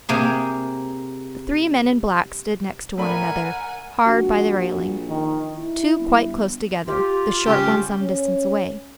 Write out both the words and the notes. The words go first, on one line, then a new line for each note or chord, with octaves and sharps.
The three men in black stood next to one another hard by the railing, two quite close together, the short one some distance away.
C3 A#3 G#4
A2 D4 A#4 F#5 G#5 B5
A#1 F#4
D#3
E4
G1
F4 G4
C#3 G3 C#4 G4
C#4